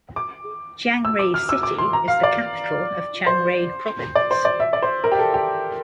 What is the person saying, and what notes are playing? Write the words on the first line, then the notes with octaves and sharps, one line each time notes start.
Chiang Rai City is the capital of Chiang Rai Province.
D6
E6
D6
F6
E6
D6
C6
A#5
F5
D5
C5
D5
C5
D5
E5
D5
C5
A#4
G4
A4
G4